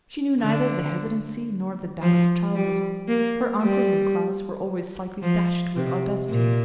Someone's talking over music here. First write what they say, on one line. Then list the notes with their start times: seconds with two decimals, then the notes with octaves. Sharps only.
She knew neither the hesitancy nor the doubts of childhood. Her answers in class were always slightly dashed with audacity.
0.41 D3
2.02 F3
2.55 G3
3.08 A#3
3.62 G3
5.22 F3
5.76 C3
6.29 A#2